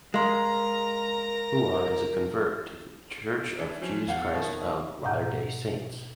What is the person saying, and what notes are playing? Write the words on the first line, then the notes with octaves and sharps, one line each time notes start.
Huon is a convert to The Church of Jesus Christ of Latter-day Saints.
G#3 A#4 F5 A#5 C6
E3 D4
F3 F#3 C#4
E2 A3 F5 F#5
B2 D#3 C#5
G#2 B2 F#5 A#5 G6